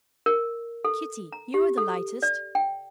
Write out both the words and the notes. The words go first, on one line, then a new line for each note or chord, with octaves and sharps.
Kitty, you are the lightest.
A#4
A4
A#5
G4
A4
D5
G5